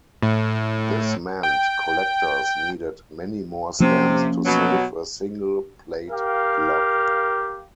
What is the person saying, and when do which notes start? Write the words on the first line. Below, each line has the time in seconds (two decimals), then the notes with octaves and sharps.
This meant collectors needed many more stamps to save a single plate block.
0.23 A2
1.43 G5
3.80 C3 F3 A#3 C#4
4.46 B2 F#3
6.10 G4 A#4 F5